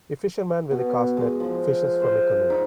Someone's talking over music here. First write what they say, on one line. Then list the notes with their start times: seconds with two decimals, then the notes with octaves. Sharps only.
A fisherman with a cast net fishes from a canoe.
0.71 B2
1.17 G#3
1.40 F3
2.01 C5
2.50 D#4